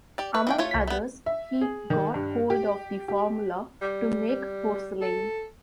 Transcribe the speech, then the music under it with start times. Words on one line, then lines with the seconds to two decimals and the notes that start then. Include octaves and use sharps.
Among others he got hold of the formula to make porcelain.
0.18 G4 D5
0.34 B4 E5
0.47 E3 F5 G5
0.58 A3 F4 C#5
0.71 C2 B6
0.87 A3 B3
1.26 E5
1.61 G#4
1.90 D#3
2.14 G2
2.50 G4
3.08 G4
3.81 G3
4.28 G3
5.01 A4